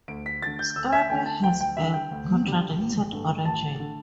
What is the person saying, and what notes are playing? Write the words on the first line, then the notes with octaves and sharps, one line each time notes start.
Scrappy has a contradicted origin.
D2 D7
B6
D3 A3 A6
G6
D2 E6
E5
D3 A3 G5
A5
D2 G5
G5
D3 G3 E5
G5
D2
D3 G3
A1
G2 D3 A3
A1 A5
D3 A3